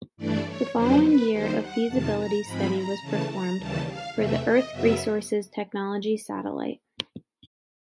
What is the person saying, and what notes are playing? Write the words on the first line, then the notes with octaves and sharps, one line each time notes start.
The following year a feasibility study was performed for the Earth Resources Technology Satellite.
G2 E3 A3 D4 D5
C#5
F2 D3 F#3 B3 D4 C5
B4
D#2 D#3 G3 C5
F#5
F2 C3 D#3 A5
A#5
G#2 F3 G#3 C4 B5
A#5
C#3 E3 A3 A5
A#5
D#2 C#3 E3 G3 A5
F5
E2 C3 E3 A3 E5
D#5
F#2 C#3 F#3 B3 E5